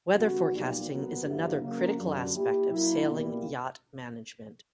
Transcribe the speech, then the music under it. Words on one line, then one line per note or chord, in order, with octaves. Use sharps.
Weather forecasting is another critical aspect of sailing yacht management.
C#3 G3 B3 F#4
B1 A#2 G3
A#2 F#3 B3 F#4
G2 D3 F#3 A#3 E4
C#3 F#3 A#3
G1 F#2 D3 F#3
A#2 A#3 E4 G4
A#2 F#3 A#3 E4
C#2 B2 G3 A#3 E4